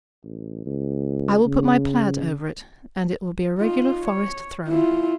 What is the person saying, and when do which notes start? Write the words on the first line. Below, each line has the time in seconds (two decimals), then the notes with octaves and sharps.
I will put my plaid over it, and it will be a regular forest throne.'
0.24 A1
0.66 C#2
1.46 C#3
3.58 D#4 F4
4.02 C#5
4.68 E4 F4